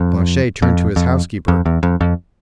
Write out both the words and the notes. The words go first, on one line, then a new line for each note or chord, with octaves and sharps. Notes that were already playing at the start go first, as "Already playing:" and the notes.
Planchet turned to his housekeeper.
Already playing: F2
F2
F2
F2
E2
F2
F2